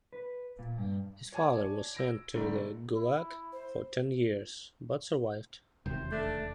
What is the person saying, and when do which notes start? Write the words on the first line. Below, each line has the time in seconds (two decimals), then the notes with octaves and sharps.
His father was sent to the Gulag for ten years but survived.
0.13 B4
0.59 A#2
0.78 G2
1.32 C#5 D5 G#5 A5 D6 G#6
1.95 E6 A#6 D7
2.34 G#2 B2 D3 G3 A3
2.95 E4
3.52 C5
5.86 E1 D#2 C3 C5
6.12 A3 D4